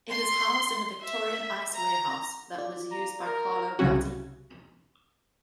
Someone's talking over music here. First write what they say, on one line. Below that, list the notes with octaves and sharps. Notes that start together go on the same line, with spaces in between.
It is housed in a Victorian ice warehouse that was used by Carlo Gatti.
C6
E5
A#5
F4 D5
A#5
A#4
C2 C#3 F#3 C#4 F#4